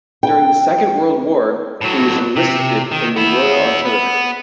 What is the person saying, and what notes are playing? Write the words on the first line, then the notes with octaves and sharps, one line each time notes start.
During the Second World War he was enlisted in the Royal Artillery.
G5
A2 F#3
C3
D#3
B3 E4
B3